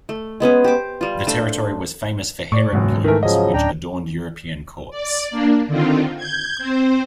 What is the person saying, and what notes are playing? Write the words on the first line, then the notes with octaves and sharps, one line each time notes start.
The territory was famous for heron plumes, which adorned European courts.
A3
G#3 B3 C#4 G#4
G4 C5 D6
G3 F4
A3 D4 C5
A2 D5 C#6
F#1 G#2 B2
D#3 E3 A3 A#4
C#3 F3 F#3 C#4 D#5
D1 D4 G5 A#5
D5
A#3 D4
D3 D#3 C4 F4
G6 G#6
C4 C5